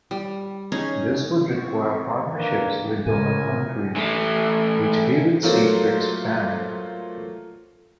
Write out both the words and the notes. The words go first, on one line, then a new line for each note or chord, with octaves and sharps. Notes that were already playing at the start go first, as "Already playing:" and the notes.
This would require partnerships with donor countries, which he would seek to expand.
G3
C#4 D#4 G#4
C4 C#6
A#3 D4 B4
C#2 A2 C#3 A#4 G#5
A2 E3
F#3 A3 A#3 F4 C5